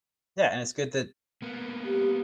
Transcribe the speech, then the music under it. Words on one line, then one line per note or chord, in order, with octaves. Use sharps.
Yeah. And it's good that
A#3 B3
G4